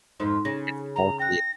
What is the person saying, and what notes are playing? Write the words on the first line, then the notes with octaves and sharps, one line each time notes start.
It's healthy,
F2 G#2 F3 D#4 C6
C#3 A#6
A#5
G5 F#6 A#6